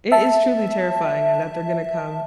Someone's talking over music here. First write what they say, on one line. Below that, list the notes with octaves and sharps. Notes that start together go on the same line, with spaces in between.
It is truly terrifying that they're gonna come
E5 A5